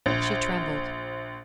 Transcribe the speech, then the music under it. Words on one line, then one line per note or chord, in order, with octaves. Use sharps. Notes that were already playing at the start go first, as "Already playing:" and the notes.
She trembled.
A#1